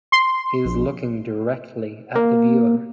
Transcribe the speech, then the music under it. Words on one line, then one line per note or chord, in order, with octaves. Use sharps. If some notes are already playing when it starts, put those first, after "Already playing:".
He is looking directly at the viewer.
C6
A#1
A#3